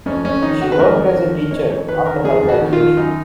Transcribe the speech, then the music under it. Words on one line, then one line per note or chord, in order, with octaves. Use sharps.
She worked as a teacher after her graduation.
F2 C#4
F2 C#4
D#3 D#4
D#3 F#4
B4
F2 A#4
F2
D#3
D#3
F2 C#5
F2 C#5
D#3 B4
D#3 A#4
F2 G#4
F2
F#4
D#3
F4
D#3
F#2 D#4